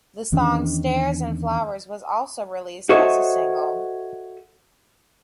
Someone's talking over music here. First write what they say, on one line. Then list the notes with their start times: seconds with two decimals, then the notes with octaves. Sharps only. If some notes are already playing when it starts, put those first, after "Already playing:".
The song "Stairs and Flowers" was also released as a single.
0.32 E2 D#3 C#4 D4
2.89 F#4 A4 C5 C#5 D#5 E5